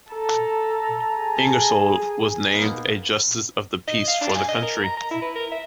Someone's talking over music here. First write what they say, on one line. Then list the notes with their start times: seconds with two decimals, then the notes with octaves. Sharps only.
Ingersoll was named a justice of the peace for the county.
0.11 A4 A5 A#5
1.19 G#4
2.53 A#3 B3 D#4
3.87 D#5
4.08 F5
4.21 D4
4.35 G#5
4.49 D#5
4.63 A#4
4.84 A#5
4.97 A#5
5.11 E4
5.22 B4
5.36 A#4
5.52 E5